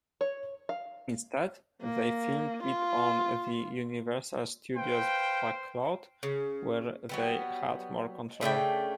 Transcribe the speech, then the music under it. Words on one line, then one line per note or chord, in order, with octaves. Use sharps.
Instead they filmed it on the Universal Studios backlot, where they had more control.
C#5
F5
A#3
F4
B4 C5 F5 G5
C#3
F#3 G3 B3
C#3 A3 D4 G5